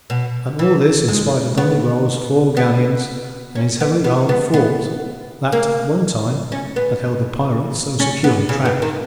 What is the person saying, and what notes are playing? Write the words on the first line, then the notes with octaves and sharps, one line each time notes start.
And all this in spite of Don Miguel's four galleons and his heavily armed fort that at one time had held the pirates so securely trapped.
B2
E3
G#3
B3
B3
C#4
B3
B3
B3
B3
A#3
C#4
B3
C#4
B3
C#3
B3
D#3